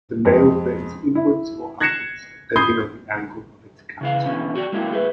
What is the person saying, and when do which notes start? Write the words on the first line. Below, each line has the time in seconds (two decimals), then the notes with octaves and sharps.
The nail bends inwards or upwards depending on the angle of its cut.
0.25 F2 G#3
1.15 E4
1.80 F#6 G#6 A#6 C7 C#7 E7
2.56 B5 C6 D#6 G6 G#6 C7
4.01 C#3 E3 F5
4.26 B2 D3 E3 C#4
4.55 F#4 G4 D5
4.72 F#3 G#3 A#3 E4 G4
4.91 A3 G#4 B4